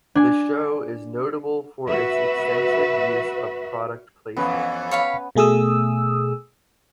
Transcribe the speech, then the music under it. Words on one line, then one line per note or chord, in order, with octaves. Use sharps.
The show is notable for its extensive use of product placement.
D4 G#5
F#4 B4 E5
F2 C3 E3 B3 C#4 B4
C#5 F5 B5
B2 A3 G#4 D#6 E6